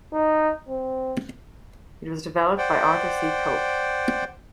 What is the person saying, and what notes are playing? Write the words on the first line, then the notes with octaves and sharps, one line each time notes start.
It was developed by Arthur C. Cope.
D#4
C4
C5 D5 F#5 G5